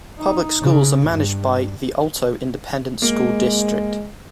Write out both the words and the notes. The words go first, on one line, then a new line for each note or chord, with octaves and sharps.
Public schools are managed by the Alto Independent School District.
D#4
C#3
G2
G#3 A#3